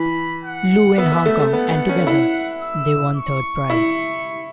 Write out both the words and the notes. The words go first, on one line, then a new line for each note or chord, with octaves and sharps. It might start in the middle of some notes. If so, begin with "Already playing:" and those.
Loo in Hong Kong, and together they won third prize.
Already playing: E3 B5
F#5
B3 E5
B3
A3
A3
B3 F#5
B3
C#4
E4
E6
C#6
E4